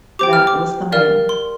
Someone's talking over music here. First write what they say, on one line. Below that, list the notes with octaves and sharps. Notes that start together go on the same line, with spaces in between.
That was the man.
G4 C5 G5 D6
F6
D6
A#4 D5 F5 F6
C6